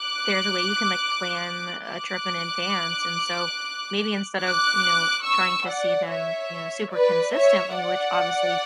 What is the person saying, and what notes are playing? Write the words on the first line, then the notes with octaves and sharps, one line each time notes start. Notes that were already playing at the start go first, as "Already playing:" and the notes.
there's a way you can, like, plan a trip in advance, and so maybe instead of, you know, trying to see them, you know, super consistently, which obviously
Already playing: D6 F#6
D6 F#6
D6 F#6
C#6 E6
D5 F#5
C#5 E5
B4 D5
C#5 E5
D5 F#5